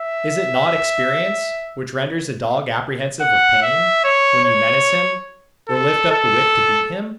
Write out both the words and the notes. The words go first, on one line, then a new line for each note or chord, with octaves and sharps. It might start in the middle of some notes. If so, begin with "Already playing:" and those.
Is it not experience, which renders a dog apprehensive of pain, when you menace him, or lift up the whip to beat him?
Already playing: E5
F#5
E5
C#5
C#5
A4
A4